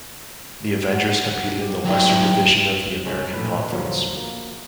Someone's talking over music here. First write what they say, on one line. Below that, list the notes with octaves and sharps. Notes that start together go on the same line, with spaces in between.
The Avengers competed in the Western Division of the American Conference.
F#5
G4
F#3 E4 G5
C#2 G2 G#3 C#4
A#1 A2 B4
E2 G2 A#2 D3 F3 F#3
A#3